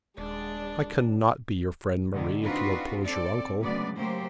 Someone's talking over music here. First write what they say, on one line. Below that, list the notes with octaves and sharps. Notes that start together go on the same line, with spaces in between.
'I cannot be your friend, Marie, if you oppose your uncle.
D#1 G#3 D4 D5
G#2 B2 D3 D#3 G#3
C4 D4 D#4 F4 F#4 B4
C4 A4 D5
D2 C#3 F#3 G#3 B3 D5
C#3 F#3 A3 A#3 G4 C5